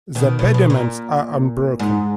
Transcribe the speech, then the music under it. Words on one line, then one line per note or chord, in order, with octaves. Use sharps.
The pediments are unbroken.
B2 D#3
B2
B2
A#2
G#2